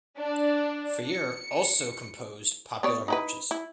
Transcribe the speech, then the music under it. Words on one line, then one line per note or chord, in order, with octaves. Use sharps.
Freire also composed popular marches.
D4
C#7
B3 C#5 D5
D#4 E4 B4
E4